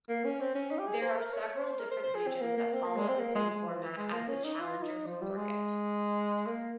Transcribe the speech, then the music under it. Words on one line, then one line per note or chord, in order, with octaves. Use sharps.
There are several different regions that follow the same format as the Challengers Circuit.
A#3
C#4
C4
C#4
D#4
G4
G#4
C5
A#4
C#5
C5
A#4
C5
C5
G#4
C4
A#3
A#3
C4
A#3
G#3
C4
A#3
G#3
G#3
F3
G#3
A#3
C#4
D#4
F4
D#4
F3
G3
G#3
A#3